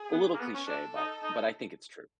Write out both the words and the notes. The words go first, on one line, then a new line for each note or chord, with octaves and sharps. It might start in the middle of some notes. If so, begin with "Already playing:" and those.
a little cliche, but but I think it's true.
Already playing: G#4
B3
A#3
B3
C#4
D4 A4
D#4
D#4